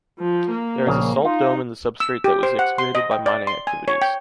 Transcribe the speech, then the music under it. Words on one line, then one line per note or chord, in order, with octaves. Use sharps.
There is a salt dome in the substrate that was excavated by mining activities.
F3
A#3
A#1 C#3
D#4 F4
E6
G4
C5
F#5
C6
D#5
G5
D5
C6
G#5
C#5
G5